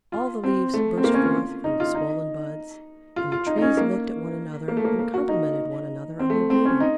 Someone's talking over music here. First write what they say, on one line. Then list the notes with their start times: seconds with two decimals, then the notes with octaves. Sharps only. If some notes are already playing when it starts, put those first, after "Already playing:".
All the leaves burst forth from the swollen buds, and the Trees looked at one another and complimented one another on their beauty.
0.12 F4
0.44 C4
0.74 A3
0.97 C4
1.04 A#3
1.14 C#4
1.24 F4
1.64 D#4
1.80 F4
1.95 D#4
3.16 F4
3.32 F4
3.46 D#4
3.58 D#4
3.62 C#4
3.77 A#3
4.68 A#3
4.77 A3
4.84 A#3
4.99 A#3
5.14 F#4
5.28 D#4
6.19 C4
6.30 A3
6.50 C4
6.65 C#4
6.80 D#4